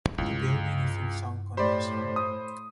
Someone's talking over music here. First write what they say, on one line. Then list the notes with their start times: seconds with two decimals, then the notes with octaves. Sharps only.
The building is in sound condition.
0.18 C#2 G2 E4
1.57 A2 G4 C5 D5 B5 C6
2.16 D#6